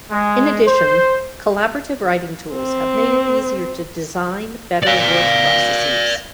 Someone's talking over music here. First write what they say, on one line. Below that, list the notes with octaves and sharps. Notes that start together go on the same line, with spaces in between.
In addition, collaborative writing tools have made it easier to design better work processes.
G#3
C5
C4
D5 F5